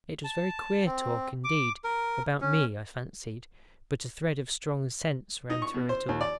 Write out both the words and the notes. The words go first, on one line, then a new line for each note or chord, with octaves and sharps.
It was very queer talk, indeed--about me, I fancied--but a thread of strong sense ran through it all.
A5
C4
D6
A#4
C#4
D#4
C#6
B2
C5
D#2
D5